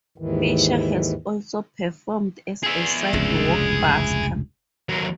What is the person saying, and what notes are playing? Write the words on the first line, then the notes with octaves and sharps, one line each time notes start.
Fisher has also performed as a sidewalk busker.
D#2 G#2 D#3 E3
G#4 E5
F1 C#2 G2
D#2 F#3